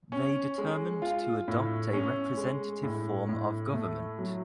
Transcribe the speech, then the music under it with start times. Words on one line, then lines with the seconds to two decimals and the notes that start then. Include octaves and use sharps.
They determined to adopt a representative form of government.
0.12 C#4
0.58 G#3
1.02 F4
1.48 A2
1.93 C#4
2.37 G#3
2.83 A2
3.29 A2
3.73 A3
4.18 F#3